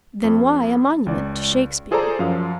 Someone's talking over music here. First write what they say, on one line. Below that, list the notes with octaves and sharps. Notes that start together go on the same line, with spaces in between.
Then why a monument to Shakespeare?
F2
C#2 D5
F4 G#4 A4 C5 D5 A#5
F#2 F3 F5